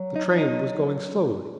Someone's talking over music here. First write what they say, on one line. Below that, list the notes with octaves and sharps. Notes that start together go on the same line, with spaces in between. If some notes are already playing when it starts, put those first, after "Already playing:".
The train was going slowly.
Already playing: F#3
D#4
D#4